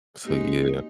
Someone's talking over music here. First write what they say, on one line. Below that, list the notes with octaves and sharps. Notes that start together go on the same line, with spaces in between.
So, yeah.
F#2 F#3 G#3 A#3 D#4 G4